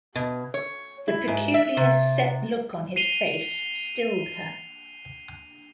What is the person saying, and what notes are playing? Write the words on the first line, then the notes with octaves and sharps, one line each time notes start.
The peculiar set look on his face stilled her.
B2
C#5
E4
G#2
E5
C3
C7 D#7 F7 G7